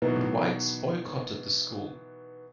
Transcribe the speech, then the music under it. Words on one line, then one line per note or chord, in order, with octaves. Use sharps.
But whites boycotted the school.
B2 D#3 E3 F#3 B3